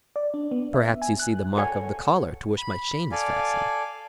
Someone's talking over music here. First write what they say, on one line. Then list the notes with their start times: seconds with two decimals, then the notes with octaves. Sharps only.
"Perhaps you see the mark of the collar to which my chain is fastened."
0.16 D5
0.34 D4
0.51 B3
0.74 E5
1.02 G#5
1.20 F#6
1.58 A4 C#5 F#5 G#5
2.58 B5
3.11 A4 D5 F5 G#5